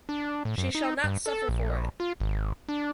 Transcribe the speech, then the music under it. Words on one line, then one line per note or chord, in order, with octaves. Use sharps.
She shall not suffer for it!
D4
A2
F#2
D#4
G2
A4
A#1
F4
G#1
D4